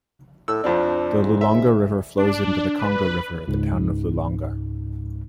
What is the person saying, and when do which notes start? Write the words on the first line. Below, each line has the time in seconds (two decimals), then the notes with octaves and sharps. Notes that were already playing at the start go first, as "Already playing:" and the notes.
The Lulonga river flows into the Congo River at the town Lulonga.
0.48 A2 E6
0.64 F2 F3 C4 D4
1.22 G#2
1.41 E5
2.18 D4
2.79 B4
3.48 C#2 G#2